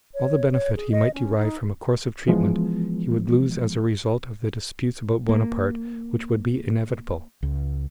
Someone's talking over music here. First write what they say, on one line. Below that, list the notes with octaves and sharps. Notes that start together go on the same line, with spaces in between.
All the benefit he might derive from a course of treatment he would lose as a result of the disputes about Buonaparte which would be inevitable.
C#5
C#5
G#4
D#5
C#4
D#4
E3 F3 G#3 B3
A#3
C#2